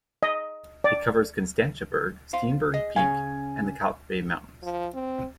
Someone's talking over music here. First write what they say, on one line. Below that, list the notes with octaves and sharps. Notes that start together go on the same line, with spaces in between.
It covers Constantiaberg, Steenberg Peak and the Kalk Bay mountains.
D#5
D5
C5 F5 C6
G#4 D#5
C#3 C#4 F5 G#5
F3
C4